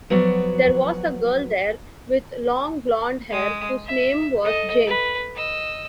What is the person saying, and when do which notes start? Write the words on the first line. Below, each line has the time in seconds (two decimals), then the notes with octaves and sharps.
There was a girl there with long blond hair whose name was Jane.
0.10 F3 F#3 B3 F#4 C#5 D5
3.30 G#3 D#6
3.85 E5
4.42 A4 D#5
4.87 B4
5.36 D#5 E6